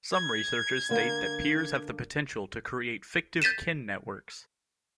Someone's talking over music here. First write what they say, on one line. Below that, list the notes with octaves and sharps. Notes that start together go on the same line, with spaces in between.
Some researchers state that peers have the potential to create fictive kin networks.
G#6
D3 A#3
G6 A6 B6 D#7 E7